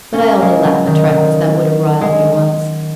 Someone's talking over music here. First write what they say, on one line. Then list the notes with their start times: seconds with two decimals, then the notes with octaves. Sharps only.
But I only laugh at trifles that would have riled me once.
0.14 C#4
0.19 A#3
0.42 G#3
0.65 F#3
0.87 D#3
1.10 D#3
2.01 G#3